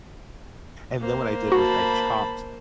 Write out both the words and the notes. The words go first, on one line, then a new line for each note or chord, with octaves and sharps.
And then what I did was I chopped
A#3 C5
F#4 A5 B5